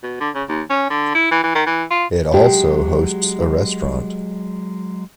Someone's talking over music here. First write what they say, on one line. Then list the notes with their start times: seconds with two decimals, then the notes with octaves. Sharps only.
It also hosts a restaurant.
0.03 B2
0.20 D3
0.35 C#3
0.49 D#2
0.70 C#4
0.90 D3
1.15 E4
1.31 E3
1.43 E3
1.55 D#3
1.66 E3
1.91 F4
2.34 F#3 G#3 G4